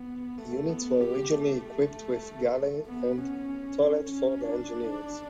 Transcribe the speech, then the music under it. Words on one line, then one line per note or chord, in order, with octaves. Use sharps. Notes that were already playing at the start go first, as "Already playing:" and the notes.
The units were originally equipped with a galley and toilet for the engineer.
Already playing: B3
A3
B3
G4
A3
B3
C#4
C#4
D4